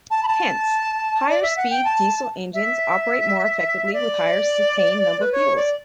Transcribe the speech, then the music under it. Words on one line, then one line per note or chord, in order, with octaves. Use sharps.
Hence, higher speed diesel engines operate more effectively with higher cetane number fuels.
A5
B5
A5
D5
E5
F#5
G5
A5
E5
D5
B4
C#5
D5